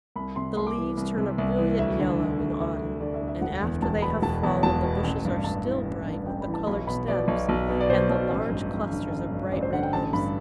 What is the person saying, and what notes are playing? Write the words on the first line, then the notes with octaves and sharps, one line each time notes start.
The leaves turn a brilliant yellow in autumn, and after they have fallen the bushes are still bright with the coloured stems and the large clusters of bright-red hips.
C2 B5
C3 C6
C2 C6
D6
E3
C2
C3
C2
E3
D2 E5
D3
D3
D2
D2 E5
D3
D3 D5
E5
D2
E5
E1 F#5
E2
E1 A5
B2 B5
E1 A5
E2 A5
E1 A5
B2
A1
G2
A1 A5
E3
A1
G2
A1 G5
B5
E3
A5
B1 B5
B2 B5
B2 D5
B1
B1
B2
D5
B2 C5
B1
A1
G2
A1
D3
A1
G2
A1 D5
C5
D3 F#5
G5
A1 A5
G2 B5